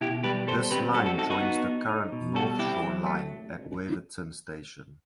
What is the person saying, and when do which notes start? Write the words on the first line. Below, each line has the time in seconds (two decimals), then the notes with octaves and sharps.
This line joins the current North Shore line at Waverton station.
0.01 B2 E4 G4
0.23 G3 G4 B4
0.47 G3 A4 C5
0.71 C4 G4 B4
0.94 G3 F#4 A4
1.06 F#4 A4
1.18 D#4 F#4 A4
1.30 D#4 F#4
1.41 B3
1.65 D#4
1.89 D#4
2.12 B2
2.35 G3 F#4 A4
2.59 C4 E4 G4
2.83 F#3
3.06 A3